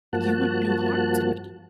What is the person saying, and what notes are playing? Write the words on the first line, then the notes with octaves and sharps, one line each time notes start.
you would do harm to me
G2 F3 A#3 F#4 A5 F#6